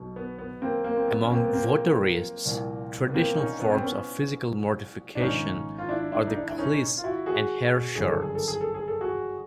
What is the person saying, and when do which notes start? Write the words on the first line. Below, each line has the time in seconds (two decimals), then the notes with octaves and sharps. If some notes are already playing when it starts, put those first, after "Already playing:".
Among votarists, traditional forms of physical mortification are the cilice and hair-shirts.
Already playing: B1 B2
0.16 B3
0.39 B3
0.62 A#3 C4
0.84 A#3
0.96 C4
1.08 B3
1.22 C#4
1.31 A#3 C4
1.44 B3
1.53 A#3 C4
2.45 C2 A#2 F3
3.09 B3
3.14 A#3 C4
3.37 C#4 D#4
3.60 B3 C#4
3.72 C4
3.82 B3 C#4
5.15 D4
5.20 G#1 G#2 F3 C#4 D#4
5.78 F4
5.89 D4 E4
6.12 D4 E4
6.27 D#4
6.35 D4 E4
6.48 E4
6.58 C#4 D#4
6.98 F4
7.04 E4 F#4
7.26 F#4 G#4
7.95 G1 F#2 C#3 E3 G#4
8.09 A4
8.22 G#4
8.35 A4
8.48 G#4
8.61 A4
8.74 G#4
8.88 A4
9.01 F#4 G#4